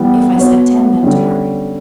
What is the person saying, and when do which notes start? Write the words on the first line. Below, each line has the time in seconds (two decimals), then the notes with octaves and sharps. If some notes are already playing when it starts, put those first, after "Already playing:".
"If I set ten men to work."
Already playing: E3 G3 B3
0.38 B3 F#4 C#5
1.03 D3 G3 C#4